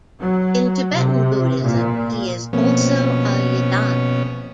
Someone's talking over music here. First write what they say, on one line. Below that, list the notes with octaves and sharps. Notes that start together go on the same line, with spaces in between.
In Tibetan Buddhism, he is also a yidam.
F#3
C3
A#2
B2 F3 A#3 C4 C#4